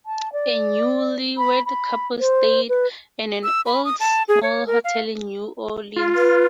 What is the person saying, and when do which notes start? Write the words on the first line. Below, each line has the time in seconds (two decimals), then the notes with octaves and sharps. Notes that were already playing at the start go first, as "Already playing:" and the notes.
A newlywed couple stay at an old small hotel in New Orleans.
0.06 A5
0.32 D5
1.38 B5
1.66 B5
2.20 C5
2.69 B4
3.43 E6
3.66 B5
3.85 D#6
4.00 A5
4.28 G#4
4.43 C#5
4.67 A#4
4.84 F5
5.96 F4
6.15 B4